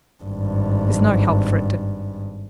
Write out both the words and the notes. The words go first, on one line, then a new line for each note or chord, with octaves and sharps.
There's no help for it, Dick.
G#1 G2